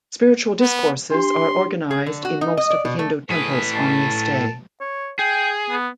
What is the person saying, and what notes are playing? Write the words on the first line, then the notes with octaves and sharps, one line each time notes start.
Spiritual discourses are organised in most of the Hindu temples on this day.
B3
D4 G4 C6
G#4
D3
F#4
D#4
D#5
D5
B2
A3
A2 G#4 B4
A5
C#5
G#4 G5
B3